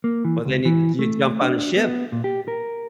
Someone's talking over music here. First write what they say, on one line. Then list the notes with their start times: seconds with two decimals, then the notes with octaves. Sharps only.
Well, then you you jump on a ship.
0.04 A#3
0.25 E3
0.45 C#2
0.65 E3
0.99 A3
1.41 D4
1.77 B3
2.12 A#2
2.24 G4
2.48 A#4